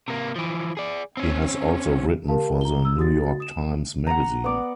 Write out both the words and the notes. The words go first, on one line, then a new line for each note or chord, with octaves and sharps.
He has also written for the "New York Times Magazine".
C3 A#3
E3 F3
G#4 D5
C4 C#4
G4 A#4 F5 A5
A#5 G7
E6
F#4 D#6 A6
D#6 E7
F#5 A#5
B3 D5